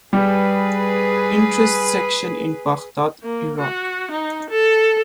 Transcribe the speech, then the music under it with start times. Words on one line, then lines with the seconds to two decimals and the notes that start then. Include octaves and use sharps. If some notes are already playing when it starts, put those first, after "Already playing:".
Interests Section in Baghdad, Iraq.
0.13 G3 G#4 B4
3.23 A#3
3.59 F#4
4.11 D#4
4.49 A4